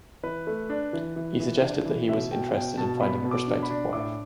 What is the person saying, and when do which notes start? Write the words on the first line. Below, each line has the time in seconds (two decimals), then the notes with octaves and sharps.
He suggested that he was interested in finding a prospective wife.
0.23 E3 B4
0.47 A3
0.70 D4
0.93 E3
1.16 E3
1.40 E3
1.62 D4
1.85 E3
2.09 B2 E5
2.31 B2 G5
2.54 B2 G5
2.77 B2 A5
3.01 B3 B5
3.25 B2
3.31 D6
3.47 D4
3.63 B5
3.71 D4
3.93 A2 D6